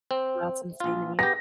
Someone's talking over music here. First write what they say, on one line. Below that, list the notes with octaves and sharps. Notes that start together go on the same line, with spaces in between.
That's insane to me.
C4
A#1 F4
B3 G4 A#6